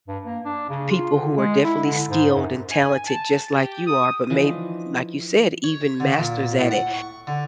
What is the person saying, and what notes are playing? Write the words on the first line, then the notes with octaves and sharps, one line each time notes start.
people who are definitely skilled and talented just like you are, but may like you said, even masters at it.
G2
A#3
D4
C#3
F4
D3
G#3
E4
D3
G#2
F#2
G#5
A5
G4
D#6
E3 F3 D4 D#4
C#5
D3
A#2
A2
F#5
C#6
D3